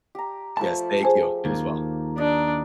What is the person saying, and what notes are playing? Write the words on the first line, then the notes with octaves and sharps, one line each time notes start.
Yes, thank you. You as well.
G4 A#5
F3 A3 A5 B5
G#4 C5 G#5
D#2 A#3
D4 D#4 D5 D#5